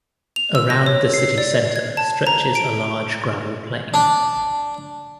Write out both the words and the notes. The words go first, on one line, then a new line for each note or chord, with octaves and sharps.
Around the city center stretches a large gravel plain.
F7
E6
A#6
C#5
C7
D5
G#6
A5
A#5
D7
D4